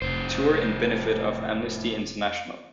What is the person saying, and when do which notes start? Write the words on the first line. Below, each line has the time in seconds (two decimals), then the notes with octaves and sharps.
Tour in benefit of Amnesty International.
0.02 F1 A2 C5